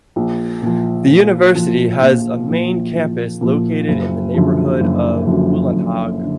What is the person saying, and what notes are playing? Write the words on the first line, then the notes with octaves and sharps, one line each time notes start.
The university has a main campus located in the neighborhood of Ullandhaug.
A#1
A#2 F3
A#1
A#2 F3
A#1
A#2 F3
A#1
A#2 F3
F#1
F#2 D3 F3
F#1
F#2 D3 F3
F#1
D3